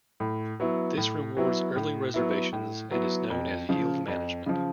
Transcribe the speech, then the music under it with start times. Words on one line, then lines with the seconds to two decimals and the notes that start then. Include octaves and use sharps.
This rewards early reservations, and is known as "yield management".
0.20 A2
0.60 F#3 B3 E4
0.97 A2
1.37 F#3 B3 E4
1.76 A2
2.14 F#3 B3 E4
2.53 A2
2.91 F#3 B3 E4
3.30 F2
3.69 C#3 F3
4.08 F2
4.46 C#3 F3